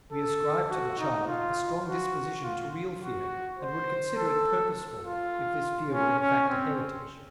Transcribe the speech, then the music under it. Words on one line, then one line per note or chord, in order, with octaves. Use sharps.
We ascribe to the child a strong disposition to real fear and would consider it purposeful if this fear were in fact a heritage.
A4
F#4
D#4
F4
F#4
F4
F#4
C5
A4
F4
C#4
C#4
C4